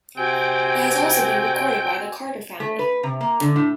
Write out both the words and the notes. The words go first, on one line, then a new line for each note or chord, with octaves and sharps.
It has also been recorded by the Carter Family.
C3 C4 F#4 G5 G#5
A3
B4
C3
A#3
D3
A2